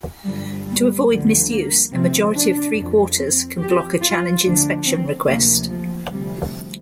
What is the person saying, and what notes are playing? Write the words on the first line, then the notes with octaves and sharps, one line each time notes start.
To avoid misuse, a majority of three quarters can block a challenge inspection request.
G2 D3 F3 G3
G3
D2 D3 F3 G3
A#3
D2 C3 F3 C4
D4
F2 F3
C4
F2 F3 G4
F4
D2 D3 F3 D4
C4
D2 C3 F3 A#3
F3
D2 C3 F3 G3